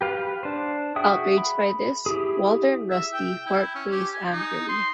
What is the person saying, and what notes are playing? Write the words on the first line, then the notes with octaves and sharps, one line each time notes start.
Outraged by this, Walter and Rusty part ways angrily.
G4 B4 F5
D4 C5
F#4 G#4 E5 G5 D#6
B5
E4 G4 G#4
E5
G5
E4
C#4
G4
G#5
D#4
C6